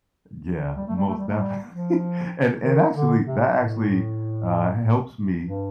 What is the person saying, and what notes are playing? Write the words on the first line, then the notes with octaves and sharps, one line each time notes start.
Yeah, most definitely, and and actually that actually, uh, h helps me,
G3
A3
G3
A3
G3
A3
G3
F3
D#3
D3
C3
A2
G2